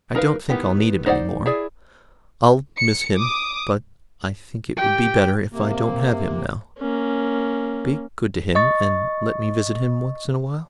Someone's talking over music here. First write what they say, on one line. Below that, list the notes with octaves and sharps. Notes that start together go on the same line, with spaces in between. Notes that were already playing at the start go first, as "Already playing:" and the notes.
"I don't think I'll need him any more. I'll miss him, but I think it would be better if I don't have him now. Be good to him, and let me visit him once in a while."
D#4 A#4 B4 F5
D#3 B3 E4 G4
D#4 C5 D5 F5 F#5
E4 G#4 D5
C#7
D6 D#6
G4 G5
C3 A#3
A#3 C#4
D#5 C#6 A6